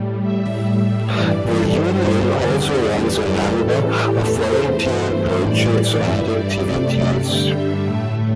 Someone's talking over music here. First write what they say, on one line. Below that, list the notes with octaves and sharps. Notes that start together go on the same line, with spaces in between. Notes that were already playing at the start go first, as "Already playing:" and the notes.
The Union also runs a number of volunteering projects and activities.
Already playing: A2 G3
E5
A2 G3
G2 E3 G3 D5
A4
G2 G3 C5
E2 D3 G3 D5
E2 E3 G3 G4
A4
A2 E3 G3 A4
G4
E2 E3 A3 A4
C5
G2 E3 A3
A2 E3 G3 D5
G2 G3 E5
D5
C3 A3
G2 D3 G3 G5
E5
A2 A3